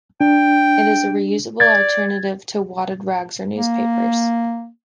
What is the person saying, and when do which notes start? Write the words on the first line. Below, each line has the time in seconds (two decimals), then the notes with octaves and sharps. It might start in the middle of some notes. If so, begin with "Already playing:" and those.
It is a reusable alternative to wadded rags or newspapers.
0.21 D4 G5
1.60 D5 G#6 A6
3.56 A#3